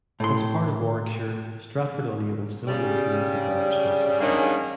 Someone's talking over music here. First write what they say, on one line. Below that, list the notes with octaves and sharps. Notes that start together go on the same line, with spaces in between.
As part of Warwickshire, Stratford-on-Avon still maintains the grammar school system.
A2 C6
C#3 G3
D#3 F#3 G#3 A#3 C#4 D4